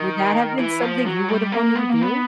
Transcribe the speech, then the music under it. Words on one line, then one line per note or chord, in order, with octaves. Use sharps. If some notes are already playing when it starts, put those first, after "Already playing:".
Would that have been something you would have wanted to do?
Already playing: D#3
E3
F3
F#3
G3
A#3
B3
A#3
B3